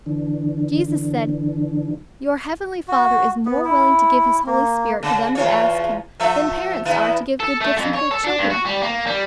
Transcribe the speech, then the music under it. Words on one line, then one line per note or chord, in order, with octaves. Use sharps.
Jesus said, 'Your Heavenly Father is more willing to give His Holy Spirit to them that ask Him, than parents are to give good gifts unto their children.
D3 E3 D4
F#4
B3
E4
A#3
C#3
E2 F4 C#5
F3 A3 E5
E2 B3 E4
A4
A3
F2
C#5
A4
D4
G2
F#4
G3
A#3
G3